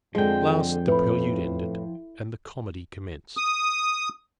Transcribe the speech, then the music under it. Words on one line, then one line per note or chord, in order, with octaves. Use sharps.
At last the prelude ended, and the comedy commenced.
F2 D3 F3 G#3 G5
A2 B4 B5
D#6